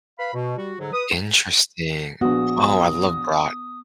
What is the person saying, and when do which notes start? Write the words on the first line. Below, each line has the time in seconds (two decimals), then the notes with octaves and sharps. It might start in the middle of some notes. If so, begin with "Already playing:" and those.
Interesting, oh, I love brat.
0.18 B4 F5 B5
0.33 B2
0.56 G3 F#4
0.78 G#2 D3 F#3
0.92 B4 D#6
2.21 A#1 B3 F#4 D#6